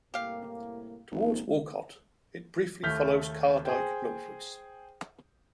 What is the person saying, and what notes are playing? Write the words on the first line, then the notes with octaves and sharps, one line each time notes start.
Towards Walcott it briefly follows Car Dyke northwards.
C2 A2 A#3 G4 F5
G#1 D#3 F3
D#2 A3 F6 G6 B6
G#4 C5 G5